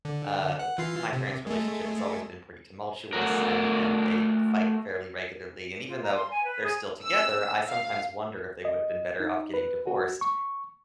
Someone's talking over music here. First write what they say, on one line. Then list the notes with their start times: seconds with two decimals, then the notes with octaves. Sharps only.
uh, my parents' relationship has always been pretty tumultuous and and they fight fairly regularly, and even though they're still together, I sometimes wonder if they would've been better off getting divorced,
0.05 D3
0.59 F#5
0.78 E3 F4 C7
1.13 C3
1.47 G#3 A3
3.13 A3 F#4 A#4
5.87 F4
6.03 A#5
6.14 C6
6.30 G#5
6.43 B4
6.63 G#4
7.03 E6
7.69 F5
8.65 D#5
9.20 D#4
9.54 B4
9.87 F#4
10.21 C#6